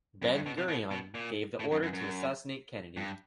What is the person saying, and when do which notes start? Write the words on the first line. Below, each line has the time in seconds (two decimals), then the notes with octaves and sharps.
Ben-Gurion gave the order to assassinate Kennedy.
0.22 F#2
0.34 G2
0.46 B2
0.58 C3
0.68 B2
0.91 B2
1.15 A#2
1.59 A2
1.71 F#2
1.83 F#2
1.93 F#2
2.97 G2